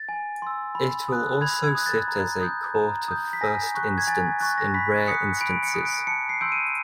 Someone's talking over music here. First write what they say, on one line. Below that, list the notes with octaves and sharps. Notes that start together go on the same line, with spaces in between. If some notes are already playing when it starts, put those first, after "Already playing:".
It will also sit as a court of first instance in rare instances.
Already playing: A6
G#5
C6 E6
B5
D#6 F#6
B5 G#6
G#6
D#6 F#6
A6
A#5
D#6 G6
A#5
D#6 G6
B6
G#5 A#6
C#6 F#6
G#6
G#5 A6
C#6 F#6 A6
A#6
B5 B6
D#6 F#6 C#7
B5 D7
C#7
D#6 F#6
D7
A5 C#7
C7
C6 E6 G6 D7
D#7